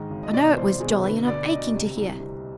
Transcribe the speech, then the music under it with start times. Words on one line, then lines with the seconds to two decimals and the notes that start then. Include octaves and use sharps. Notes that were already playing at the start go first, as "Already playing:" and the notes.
I know it was jolly, and I'm aching to hear.'
Already playing: G#2 D#3 D#5
0.10 G#1
0.23 D#5
0.33 B2 D5
0.57 C2 C5
0.80 B2 G#4
1.03 D3 B4
1.27 D2 D5
1.50 D2 D#5
1.74 C3
1.97 C2
2.20 C3